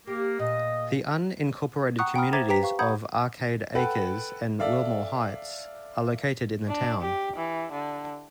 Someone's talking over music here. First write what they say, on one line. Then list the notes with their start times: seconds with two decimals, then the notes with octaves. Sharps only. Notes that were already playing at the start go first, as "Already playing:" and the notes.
The unincorporated communities of Arcade Acres and Wilmoore Heights are located in the town.
0.07 A#3 G4
0.39 A#2 D#5
1.99 F#5 G5 A#5 C#6 D#6 F#6
2.15 F#5 G5 A#5 B5 D#6 F6
2.33 C5 E5 A#5 D6 G#6 A6
2.49 G4 B4 G5 A#5 B6
2.63 F5 C#6
2.79 F#5 A#5 B5 D#6 G6 G#6
3.75 A4 B4 F#5 G5
4.60 A4 D5 E5 F5
6.68 D4
7.01 G4
7.37 E3
7.72 D3